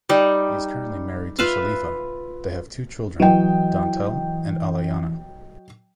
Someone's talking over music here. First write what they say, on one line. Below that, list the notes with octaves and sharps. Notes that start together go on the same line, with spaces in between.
He is currently married to Shalifa; they have two children, Dantel and Alayana.
G3 D#4
F4 B4 E5 F5
E3 F#3 D#5 G5